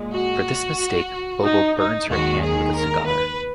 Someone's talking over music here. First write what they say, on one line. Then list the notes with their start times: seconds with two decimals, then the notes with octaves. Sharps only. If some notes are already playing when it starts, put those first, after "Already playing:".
For this mistake, Bobo burns her hand with a cigar.
Already playing: A#2 G#3
0.13 F#4
1.44 D#4
1.77 D#4
2.09 D#2 D#3 G#3 F#4
2.42 G#4
2.74 A#4
3.07 B4